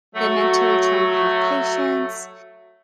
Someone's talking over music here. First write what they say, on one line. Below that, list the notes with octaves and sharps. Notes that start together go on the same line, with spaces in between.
the mentor trying to have patience,
F#3 A3